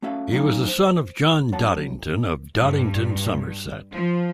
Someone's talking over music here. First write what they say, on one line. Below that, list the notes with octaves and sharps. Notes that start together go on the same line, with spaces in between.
He was the son of John Dodington of Dodington, Somerset.
A3 C#4 F#4 E5 F5
F#3 A3 C#4 D#4 F5
C5
F#2 C#5 F#5 A5
G2
F3